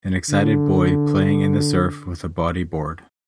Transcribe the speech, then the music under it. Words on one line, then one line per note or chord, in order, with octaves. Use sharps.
An excited boy playing in the surf with a body board.
D3